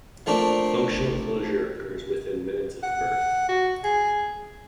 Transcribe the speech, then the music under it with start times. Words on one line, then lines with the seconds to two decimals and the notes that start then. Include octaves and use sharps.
Functional closure occurs within minutes of birth.
0.26 F3 A3 A#3 C4 D4
2.83 F#5
3.49 F#4
3.84 G#4